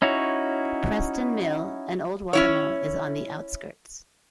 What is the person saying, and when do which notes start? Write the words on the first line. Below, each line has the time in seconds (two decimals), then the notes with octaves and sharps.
Preston Mill, an old watermill, is on the outskirts.
0.02 C#4 D#4 E4 F#4 C#5
2.33 C#4 E4 C#5